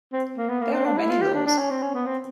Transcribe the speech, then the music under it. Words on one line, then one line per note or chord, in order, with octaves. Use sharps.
There are many laws.
C4
A#3
B3
A#3
C4
D4
E4
F4
G4
D4
D4
C#4
C4
C#4
B3
C4